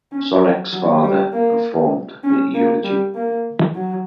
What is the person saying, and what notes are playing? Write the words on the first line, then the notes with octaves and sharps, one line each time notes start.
Sorek’s father performed the eulogy.
C#4
F#3
F#3
G3
A#3
C#4
A#3
G3
A#3
F#3